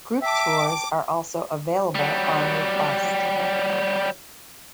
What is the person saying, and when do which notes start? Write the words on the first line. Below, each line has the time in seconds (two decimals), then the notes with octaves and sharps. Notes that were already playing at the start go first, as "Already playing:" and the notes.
Group tours are also available on request.
0.22 E5 G5 A5 D6
1.95 F#3 G3